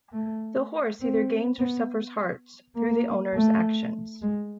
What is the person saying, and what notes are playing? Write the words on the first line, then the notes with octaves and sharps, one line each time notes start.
The horse either gains or suffers hearts through the owner's actions.
A3
C4
B3
A#3
A3
G#3